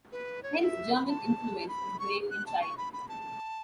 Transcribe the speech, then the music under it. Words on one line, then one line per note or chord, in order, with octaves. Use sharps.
Hence German influence is great in Chile.
B4
C#5
F#5
E5
B5
B5
A5
B5
C#6
F#6
A5
C#6
B5
B5
A5